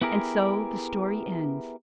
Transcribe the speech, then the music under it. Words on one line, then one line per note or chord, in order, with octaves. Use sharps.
And so the story ends.
B3 E4 G4 G#4 A#4